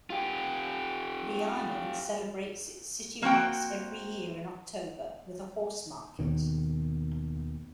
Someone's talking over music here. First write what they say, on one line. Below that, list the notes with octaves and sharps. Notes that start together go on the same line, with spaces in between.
Vianen celebrates its city rights every year in October with a horse-market.
F4 G4
A#3 C4 F#4 G5
D#2 B2 D#3